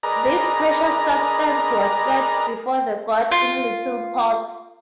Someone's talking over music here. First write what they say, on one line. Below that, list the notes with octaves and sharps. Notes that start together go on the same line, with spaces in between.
This precious substance was set before the god in little pots.
G#4 A#4 B4 D5 D#5 A#5
F4